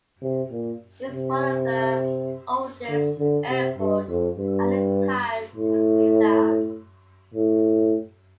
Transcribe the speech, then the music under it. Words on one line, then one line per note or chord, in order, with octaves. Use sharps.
Its one of the oldest airport at the time of Nizam's.
C3
A#2
C3
D3
D3
C3
G2
F2
G2
A2
A2